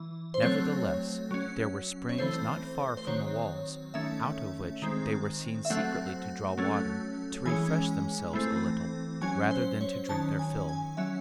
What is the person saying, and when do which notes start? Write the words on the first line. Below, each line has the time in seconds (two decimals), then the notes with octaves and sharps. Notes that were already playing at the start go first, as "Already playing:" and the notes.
Nevertheless there were springs not far from the walls, out of which they were seen secretly to draw water, to refresh themselves a little rather than to drink their fill.
Already playing: E3
0.34 C5
0.42 F#3 A3 C4 C#5
1.31 F#3 C#4
2.09 C#5
2.18 E3 A3 C4 C5
2.97 C5
3.07 D#3 F#3 C4 C#5
3.94 D#3 A3 C#4 E5
4.82 D#3 G#3 C4
5.65 E5
5.70 F#3 A3 C4 F#5
6.58 F#3 A3 C#4
7.46 E3 G#3 C#4 G#5
8.33 E3 A3 C4
9.21 F#3 C#4 G#5
9.51 C5
9.81 C#5
10.09 D#3 F#3 C#4 A5
10.39 G#5
10.69 G#5
10.97 F#3 C#4 E5